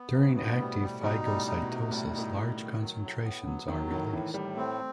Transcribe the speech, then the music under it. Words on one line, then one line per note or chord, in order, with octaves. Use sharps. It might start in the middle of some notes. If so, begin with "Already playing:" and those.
During active phagocytosis, large concentrations are released.
Already playing: B3
G2 C3
B2
B3
A2
B2 G3
G3
B2 D#4
G3
A2
D#4
B2
C3
A2 G3
A2 D#4
G3
D#3
F#3
A2
B3
F#3
D#3 F#3
A2 D#3
A2 E3
A2 G3
A3 C4